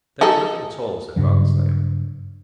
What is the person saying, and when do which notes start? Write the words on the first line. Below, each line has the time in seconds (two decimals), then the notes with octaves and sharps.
"There is nothing at all," said Father Snail.
0.21 D#4 G#4 A4
1.16 G2 C#3 F#3